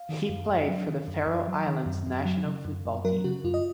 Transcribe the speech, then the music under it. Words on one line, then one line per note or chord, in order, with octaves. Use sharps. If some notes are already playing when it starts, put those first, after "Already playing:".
He played for the Faroe Islands national football team.
Already playing: F5
D#3
F#2
F#2
F#3
D#3
F#2
F#2
F#3
D#3
F#2
F#2
F#3
C#3
F#2
F#2
F#3 A#4
C#3 F#4
F#2 F4
D#5